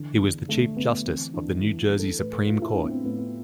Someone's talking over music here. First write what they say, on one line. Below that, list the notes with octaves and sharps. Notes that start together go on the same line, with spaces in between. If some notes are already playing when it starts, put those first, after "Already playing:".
He was the Chief Justice of the New Jersey Supreme Court.
Already playing: D3 E3
E2
D3 A3
D3 B3
E3 C4
E3 D4
E3 E4
E4
E3
A4
A2 B4
A4
A2 F4
E4
A2 D4
B3
C4
A2 B3
B3